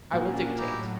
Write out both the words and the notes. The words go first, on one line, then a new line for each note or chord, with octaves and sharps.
"I will dictate."
A#2 A#3 C#4 D4 F#4
A2 F#3 D#4 E4 G4